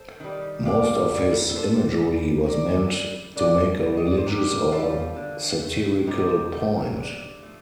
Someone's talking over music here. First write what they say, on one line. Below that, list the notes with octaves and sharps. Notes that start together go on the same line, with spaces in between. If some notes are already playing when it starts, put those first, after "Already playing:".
Most of his imagery was meant to make a religious or satirical point.
Already playing: A4 C5
D#3 G3
C3 D5 F5
G3
C3 A4 C5
G3
C3 A#4 D5
G3
D3 A#4 D5
A3
D#5
D5
C5
D3 G4 A#4
G3 F4 A4
D3
A3
C3 D#4 G4
F3 A3
D3
F3 A3